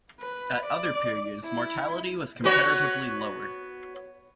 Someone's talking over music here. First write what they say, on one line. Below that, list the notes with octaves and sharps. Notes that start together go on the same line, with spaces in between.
At other periods, mortality was comparatively lower.
B4
D5
E4
B3 F#4 C#5